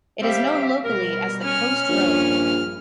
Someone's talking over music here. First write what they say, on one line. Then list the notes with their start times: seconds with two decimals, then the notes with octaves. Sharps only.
It is known locally as the Coast Road.
0.22 G3 C4 G4 E5 F5
0.84 B2 G3 A#4
1.44 C#4 F6
1.89 A#1 G2